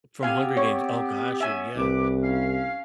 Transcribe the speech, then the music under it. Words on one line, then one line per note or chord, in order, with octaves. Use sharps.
from Hunger Games oh, got you, yeah.
B3 C4 G4 F5 G#5
C#5
B3 C#4 C#5 E5 G#5
C2 B4 D6
C#4 F5